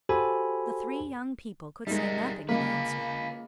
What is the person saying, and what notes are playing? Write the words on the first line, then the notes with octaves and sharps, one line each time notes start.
The three young people could say nothing in answer.
F#4 G4 A4 C5 G#5 B5
G3 G#3 D#4 A#4
C#3 G#3 A#3 F4 B4